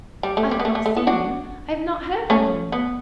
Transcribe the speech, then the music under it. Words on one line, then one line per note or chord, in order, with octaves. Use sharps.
I have not seen him; I have not heard from him.
G3
A3
G3
B3
A3
A3
A3
B3
D4 F#4
A3 C#4
B3